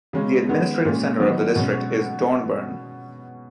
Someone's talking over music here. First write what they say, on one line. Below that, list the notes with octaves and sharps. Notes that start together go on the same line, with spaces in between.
The administrative center of the district is Dornbirn.
C#3 G#3 C#4
D#3 G#3 B3
A#2 G#3 C#4
D#3 F#3 B3 D#4
B2 G#3 C#4